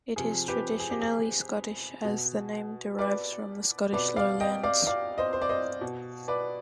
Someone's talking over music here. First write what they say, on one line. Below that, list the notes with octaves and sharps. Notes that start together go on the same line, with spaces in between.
It is traditionally Scottish as the name derives from the Scottish Lowlands.
C3 F3 G#4
G4 B4
G#4
G4
G#4
B2
B4 D5
B2 B4 D5
D5 F5
D#5 G5
D5 F5
D5 F5
C5 D#5
C5
D5
C5 D#5
B2
B4 D5